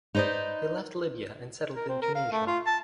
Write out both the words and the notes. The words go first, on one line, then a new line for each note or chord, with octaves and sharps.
They left Libya and settled in Tunisia.
D#4 B4 C5 D5 D#5
A#4
C4
A#4
F5
A3
F4
A5